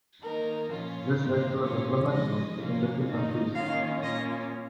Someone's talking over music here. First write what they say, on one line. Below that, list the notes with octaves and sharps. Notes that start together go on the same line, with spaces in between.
This led to a diplomatic row between the two countries.
D#3 A#3 D#4 A#4
A#2 F3 C#4 F4
D#3 A#3 F4
A#2 A#3 C#4 F4 C#5
C#3 F3 G#3 D#5
F3 A#3 C#4 F4
D#3 A#3 D#4
D#3 A#3 C#4 F4 F5
A#2 A#3 C#4 F4 D#5